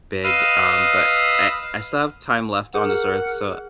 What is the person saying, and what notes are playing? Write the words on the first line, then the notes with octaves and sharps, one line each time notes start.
big, um, but I I still have time left on this earth, so,
B4 D#5 F5 D#6 E6
G#4 A#4 F#5